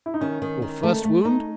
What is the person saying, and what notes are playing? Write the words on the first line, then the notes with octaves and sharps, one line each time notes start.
"Your first wound?"
E4
D#4
D#3 C#4
D#3
D#3
A3
A3
D#4